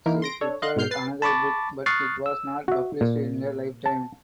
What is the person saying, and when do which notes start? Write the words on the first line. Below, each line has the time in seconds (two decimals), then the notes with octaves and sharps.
She prepared another book but it was not published in her lifetime.
0.06 E3 A#3 D#4 E4 A#4
0.22 C6 A#6 D7
0.41 D4 A4 C#5
0.62 D#5 F5 C6 F#6
0.76 G#2 B2 G#3 F6 G6 C7
0.91 B4 A6 C7
1.22 A5 B5 C#6 D6 A6
1.86 C#6 D#6 F6 F#6 A6 C7
2.26 E6
2.68 F#4 E5
3.01 A#2
3.86 A5